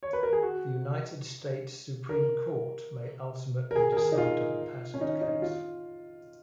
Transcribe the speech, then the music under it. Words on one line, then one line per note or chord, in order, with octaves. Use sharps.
The United States Supreme Court may ultimately decide on a patent case.
C#5
B4
A#4
G#4
F#4
A#4
A#4
G#4
A#4
G#4
D#4
F4
C#4
D#4
D#4
F4